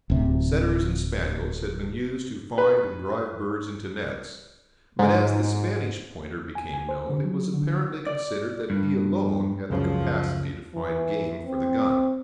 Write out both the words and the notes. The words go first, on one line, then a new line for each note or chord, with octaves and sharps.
Setters and Spaniels had been used to find and drive birds into nets, but as the Spanish Pointer became known it was apparently considered that he alone had the capacity to find game for the gun.
D1 C3
B4
G#2
G#5
G#5
C5
D3
F#3
D3
D5
G2
C#2 F#2 C#3 F3
E3
C4